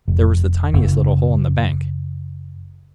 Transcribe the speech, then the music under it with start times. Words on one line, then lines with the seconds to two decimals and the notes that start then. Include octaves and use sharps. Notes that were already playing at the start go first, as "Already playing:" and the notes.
There was the tiniest little hole in the bank.
0.08 F1
0.74 F#1